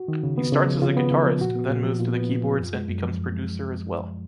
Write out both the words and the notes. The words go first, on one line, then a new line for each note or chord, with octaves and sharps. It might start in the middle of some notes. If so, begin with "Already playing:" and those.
He starts as a guitarist, then moves to the keyboards and becomes producer as well.
Already playing: F#4
D#3
C#3
B3
C#3
F3
C#3 F4
B3
C#3
F3
A#2 F#4
B3
A#2
F3
A#2 F4
B3
A#2
F3
F#2
G#3
F#2
F3
F#2
G#3